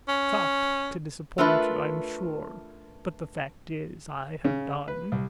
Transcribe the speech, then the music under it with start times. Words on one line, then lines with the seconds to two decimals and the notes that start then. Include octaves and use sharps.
"Shocked to disappoint you, I am sure; but the fact is, I have done."
0.08 C#4
1.38 A3 D4 F4 A#4 B4 E5
4.44 C#3
4.88 B4
5.12 C2